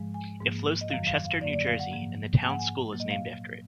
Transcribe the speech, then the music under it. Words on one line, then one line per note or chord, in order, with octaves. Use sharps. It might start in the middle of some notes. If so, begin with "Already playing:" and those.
It flows through Chester, New Jersey and the town school is named after it.
Already playing: G#2 F3 G#3
G#5
G#2 F3 A#3
D#5
F#2 D#3 F#3 F5
F5
F5
F#2 D3 F#3 A#3 D5
D5
F5
F#5
G#2 F3 A#3
G#2 F3 A#3 G#5
F#5
G#5
A#2 F#3 A#3
D#5
F5